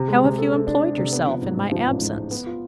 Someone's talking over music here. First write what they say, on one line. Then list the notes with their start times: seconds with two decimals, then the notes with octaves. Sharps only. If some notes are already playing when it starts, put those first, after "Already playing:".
How have you employed yourself in my absence?
Already playing: C3
0.08 G#3
0.23 C3
0.38 A4
0.52 A4
0.67 D4
0.82 D4
0.97 C3
1.12 B3
1.27 F3
1.42 G#2
1.57 G#2
1.72 F3
1.87 A1
2.01 G#2
2.16 G#2
2.31 B3
2.46 F4